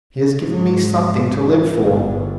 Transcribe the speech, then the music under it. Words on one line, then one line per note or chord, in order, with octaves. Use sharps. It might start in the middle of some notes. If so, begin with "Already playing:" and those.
He has given me something to live for.
G#2
G1 D3